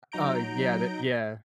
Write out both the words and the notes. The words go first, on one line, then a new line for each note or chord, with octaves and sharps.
U uh, yeah that yeah,
F#3 D#4 A#5 G6 D7